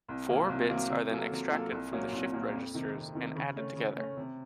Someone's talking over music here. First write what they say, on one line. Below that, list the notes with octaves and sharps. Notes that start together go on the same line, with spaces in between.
Four bits are then extracted from the shift registers and added together.
C2
C3 F#3 A#3
C2
C3 F#3 A#3
C3
F#3 A#3 F4 A4
C3
F#3 A#3 F4 A4
C2
A#2 F#3 A#3 C#4
C2
A#2 F#3 A#3 C#4
F2
C3 D#3
F2
C3 D#3
C#3
A3 C#4
C#3
A3 C#4
C3